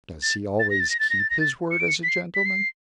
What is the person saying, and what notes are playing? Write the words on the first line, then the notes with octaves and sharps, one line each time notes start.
"Does he always keep his word as a gentleman?"
A6
A6
A#6
A6
A#6
A6
A#6
A6
A#6
A6
C#7
D7
C#7
B6
C7
B6
C7